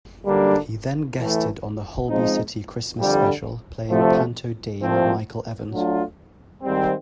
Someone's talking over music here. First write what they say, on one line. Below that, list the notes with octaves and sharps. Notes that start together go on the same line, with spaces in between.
He then guested on the Holby City Christmas Special, playing panto dame Michael Evans.
F#2 D3 G3 A#3 D4
A2 E3 A3
F3 G#3 C4 D#4
F2 D3 G3
D2 C3 F3 A3
C2 A#2 F3 A3 C4
F#3 A3 D4 F4
G#2 D#3 G3 C4